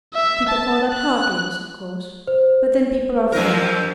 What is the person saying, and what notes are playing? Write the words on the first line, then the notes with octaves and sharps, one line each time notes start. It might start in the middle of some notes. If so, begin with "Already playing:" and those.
People call that heartless, of course; but then people are fools.
E5
A5
F#6
C5
F#2 F3 A#4